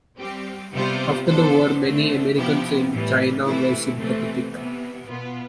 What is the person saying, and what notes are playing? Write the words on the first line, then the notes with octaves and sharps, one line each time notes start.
After the war, many Americans in China were sympathetic.
G3 C4 G4
C3 G3 B3 F4 C5
B3 D4 A4 C5
D3 A3 C4
C3 F3 B3 E4 G4
A2 E3 G3
C3 E3 A3 E4
C3 E3 A3 C4
C3 E3 B3
B2 B3 F4